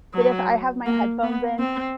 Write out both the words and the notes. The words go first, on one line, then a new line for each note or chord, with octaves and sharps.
that if I have my headphones in,
F#3
A#3
B3
C4